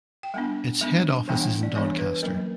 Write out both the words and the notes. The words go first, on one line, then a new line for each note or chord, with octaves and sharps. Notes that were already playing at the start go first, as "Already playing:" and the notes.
Its head office is in Doncaster.
G5
G3 B3 D4 F#5
G3 B3 D4
E3 G3 B3 D4 G5
F#5
D5
E3 G3 B3 D4 C#5
B4
F#3 A#3 C#4 A#4